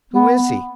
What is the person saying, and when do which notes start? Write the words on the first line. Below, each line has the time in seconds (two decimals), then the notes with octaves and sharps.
Who is he?
0.14 B3